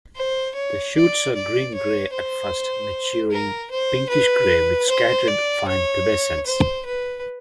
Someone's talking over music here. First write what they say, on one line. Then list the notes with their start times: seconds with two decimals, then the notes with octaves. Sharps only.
The shoots are green-grey at first, maturing pinkish-grey, with scattered fine pubescence.
0.16 C5
0.55 C#5
0.96 D5
1.35 D5
1.74 C#5
2.13 C5
3.31 A#4
3.71 C5
4.10 B4
4.89 C5
5.27 D5
5.68 C#5
6.46 C5
6.86 B4